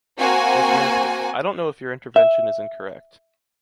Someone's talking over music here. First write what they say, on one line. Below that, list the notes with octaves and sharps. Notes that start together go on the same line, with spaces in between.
Mrs. Minister, I don’t know if your intervention is incorrect.
A#3 C4 F#4 G#5
E5